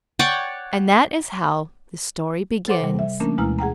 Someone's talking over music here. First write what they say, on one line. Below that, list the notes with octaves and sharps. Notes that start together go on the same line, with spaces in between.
And that is how this story begins.
C#5 D5 F#5 G5
A4 C5 F#5 C6 D6
C3 G3
E5
E3 A3 A#3 C#4 D4 A#4
D2 B2 G#3 E4 A#5 F6
G#4 F#5 G5 A#5